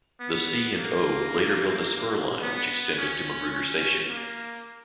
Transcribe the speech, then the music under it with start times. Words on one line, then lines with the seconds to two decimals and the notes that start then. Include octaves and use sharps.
The C and O later built a spur line which extended to Magruder Station.
0.20 B3
0.76 A#3
2.42 B3
2.98 C#4
3.54 C#4
4.10 A#3